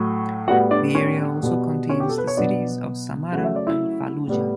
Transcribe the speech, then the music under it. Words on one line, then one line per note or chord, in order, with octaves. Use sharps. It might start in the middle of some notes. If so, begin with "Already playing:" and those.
The area also contains the cities of Samarra and Fallujah.
Already playing: A2 F#3 A3
A2 G3 B3 F#4 F#5
D4 D5
C#4 C#5
B2 G3 B3
C#4 C#5
G4
A4
B4
C#5
B2 F#3 B3 D4 D5
C#3 F#3 A3 F#5
E5
D5
E4 E5
A2 G3 B3